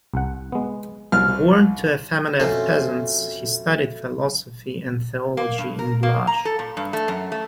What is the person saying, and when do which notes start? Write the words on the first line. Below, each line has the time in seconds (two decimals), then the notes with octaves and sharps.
Born to a family of peasants, he studied philosophy and theology in Blaj.
0.14 C2 F#5
0.52 G#3 B3
1.12 C2 F6
2.40 F2 B2 A3 C#4 A4 C6
5.37 A#3
5.58 G2
5.79 A#4
6.03 A#3
6.27 A#5
6.45 A4
6.59 A#2
6.77 G2
6.93 A3
7.08 F#2
7.32 A3